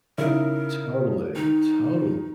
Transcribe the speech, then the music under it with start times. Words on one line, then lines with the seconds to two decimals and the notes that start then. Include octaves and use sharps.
Totally, total
0.18 C#3 D#4 E4 A#4
1.36 D#3 D#4